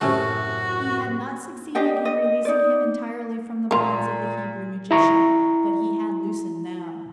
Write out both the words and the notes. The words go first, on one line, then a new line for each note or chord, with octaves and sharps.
He had not succeeded in releasing him entirely from the bonds of the Hebrew magician, but he had loosened them.
F#2 A2 C3 A3 C#4 F#4
D4 G4 D#5 G5
D#5
D#4 D5
A#2 A#3 F4
E4 A#5 C#6